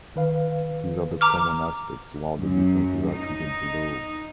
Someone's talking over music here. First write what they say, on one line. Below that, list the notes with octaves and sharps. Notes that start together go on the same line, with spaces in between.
These are the common aspects, while the differences are treated below.
D#3 B4 F5
A#5 D6 F6
F#2
D#4